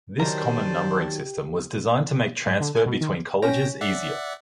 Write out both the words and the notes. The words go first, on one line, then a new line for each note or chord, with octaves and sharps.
This common numbering system was designed to make transfer between colleges easier.
D#3 F#3 G4 A#4 C5 D5 A5
G#2
D3
G#5
B2
D#3
C#4 C#5 G5 A#6
D5 E5 F#5